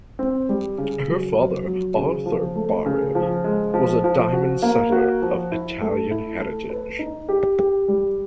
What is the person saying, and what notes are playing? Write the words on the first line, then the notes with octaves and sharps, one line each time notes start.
Her father, Arthur Bari, was a diamond setter of Italian heritage.
C4
G3
C#3
F#3
F#3
F#3
C#3
F3
A3
C#3
F3
G#3
F3
F3
F#4
A#3
F#4
F3
E4
A3
E4
A3
B4
D#4
G4
G4
G3